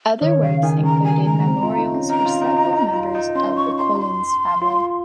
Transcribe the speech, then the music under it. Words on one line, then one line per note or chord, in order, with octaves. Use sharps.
Other works included memorials for several members of the Collyns family.
D#3 C#5
C#3 F5
D#3 G#5
C#3 A#5
D#3 G#5
G#3 A#5
C4
F4
D#4
C#4
D#4 A#5
F4
D#4
D#4
D#4
F4
D#4
C#4 C6
C#6
C6
A#5
C6
F4